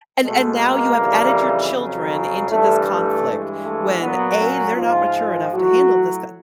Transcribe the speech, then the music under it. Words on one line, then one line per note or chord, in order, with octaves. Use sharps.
And and now you have added your children into this conflict when, A, they're not mature enough to handle this ca
B2 G#3 A3
A#3
F2 C#3 E3 G3
F2 C#3 F#3
G2 E3 G3 A3
A3
G2 E3 G#3
A3
A#2 F#3 B3
C#4
G#2 F3 G#3 F4
A2 F#3 F#4